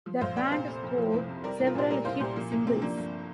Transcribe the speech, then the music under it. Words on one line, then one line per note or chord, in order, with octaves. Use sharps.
The band scored several hit singles.
F3
A#1 C5 F5
A#2 D5 G5
C3 C5 F5
F1
F2
F3
C2
C3
G3 A#4 D5
C2
F4 A#4
A#2 G4 C5
G3 A#4 D5
C2 C5 F5
A#2 G4 C5
F3 A#3
C2 A#3
C3 C4
F3 A#3 D4
G1